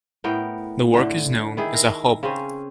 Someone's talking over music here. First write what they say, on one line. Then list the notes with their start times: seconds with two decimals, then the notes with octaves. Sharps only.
The work is known as "Akhob".
0.24 A2 B3 A#4 G5
0.94 A2 D3
1.57 D#3 E4 G#4
1.73 A#4
2.23 C#3 C4 C#4 G#4